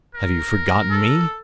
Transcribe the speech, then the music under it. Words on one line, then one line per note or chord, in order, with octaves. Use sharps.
Have you forgotten me?
A#4
A4